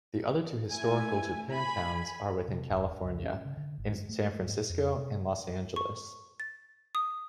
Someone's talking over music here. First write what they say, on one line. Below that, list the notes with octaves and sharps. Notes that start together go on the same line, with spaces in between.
The other two historical Japantowns are within California, in San Francisco and Los Angeles.
A3 E4 G#5
G#5 B5
C3
E1
C#2
C#4
C#3
D3
G#1
G2
A3
G#2
F2
C3
C#6
A6
D#6